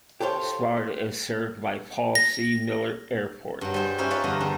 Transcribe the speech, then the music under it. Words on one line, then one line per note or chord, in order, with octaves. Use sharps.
Sparta is served by Paul C. Miller Airport.
G4 A4 C5 C#5 F5
A#6
G2 F#3
G3 G#4 C5 G5
C#4 D#4 E4 G4 C5
F4 B4 C#5 D5 F5
E2 G2 D3 D#5 A#5
E2 G3 D4